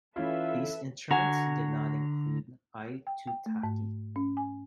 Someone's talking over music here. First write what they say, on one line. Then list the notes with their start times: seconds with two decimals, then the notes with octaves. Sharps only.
These instruments did not include Aitutaki.
0.16 E3 C#4 E4 F4 A4 B4 E5
1.11 D3 F#4 G#5 A#5
3.07 G5
3.27 G5
3.46 A3
3.63 G#2
4.16 C#4
4.37 G#5